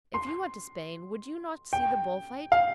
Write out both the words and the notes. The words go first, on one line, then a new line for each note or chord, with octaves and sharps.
If you went to Spain, would you not see the bull-fight?
C6
G5
F5